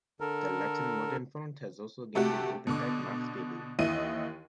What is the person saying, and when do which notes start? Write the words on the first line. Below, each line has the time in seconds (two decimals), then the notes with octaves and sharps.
The Latin Modern font has also gained an OpenType math table.
0.20 D3 A4 A#4
2.15 C3 A3 F#4 G4
2.67 B2 D3 D6
3.79 D#2 E3 E4 D#5 D#7